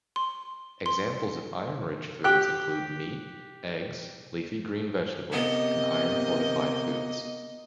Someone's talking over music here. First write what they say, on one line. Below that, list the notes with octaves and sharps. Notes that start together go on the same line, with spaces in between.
Examples of iron-rich foods include meat, eggs, leafy green vegetables and iron-fortified foods.
C6
C6
G4 G5 F#6
C3 A#3 B3 D#5